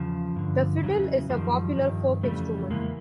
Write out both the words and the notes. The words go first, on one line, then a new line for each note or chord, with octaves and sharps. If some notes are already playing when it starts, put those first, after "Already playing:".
The fiddle is a popular folk instrument.
Already playing: E2 C#3 F3
G2 D3
E2 C#3 E3 F#3
F#2 D#3 F3 G3
G2 D#3
F2 C#3 E3 G3 A3
E2 C#3 E3 G#3 A#3